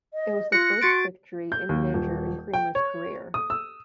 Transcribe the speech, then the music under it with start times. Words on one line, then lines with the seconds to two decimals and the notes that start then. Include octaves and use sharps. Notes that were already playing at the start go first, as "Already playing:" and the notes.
It was the first victory in a major in Creamer's career.
0.14 D#5
0.52 F4 F#6 A#6 C#7
0.82 F#4 C6 A6 D7
1.52 G6
1.69 D#2
1.94 D#1
2.54 G5
2.75 C#5
3.34 D#6
3.50 E6